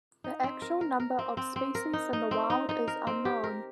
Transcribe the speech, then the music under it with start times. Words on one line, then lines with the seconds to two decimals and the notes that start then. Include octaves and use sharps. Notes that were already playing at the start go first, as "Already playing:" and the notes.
The actual number of species in the wild is unknown.
0.24 D#4
0.44 C4
0.62 A#4
0.81 A#4
1.00 A#4
1.19 C4
1.37 C4
1.56 C4
1.75 A#4
1.93 D#4
2.13 D#4
2.31 C4
2.50 D#4
2.69 D#4
2.88 A#4
3.07 C4
3.25 G4
3.44 A#4